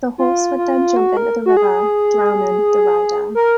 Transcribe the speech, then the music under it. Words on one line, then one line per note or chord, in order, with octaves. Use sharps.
The horse would then jump into the river, drowning the rider.
F4
F4
F#4
A#4
F#4
G#4
A#4